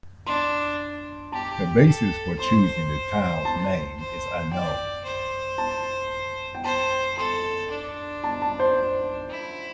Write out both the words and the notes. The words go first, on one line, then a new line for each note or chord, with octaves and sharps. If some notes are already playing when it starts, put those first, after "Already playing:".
The basis for choosing the town's name is unknown.
D4 C6
G4 A5
A4
C5 C6
A5
C5
D5 G5
C5
A5
G5
C5 A5
A4 C6
D4
A5
A5
C5
E4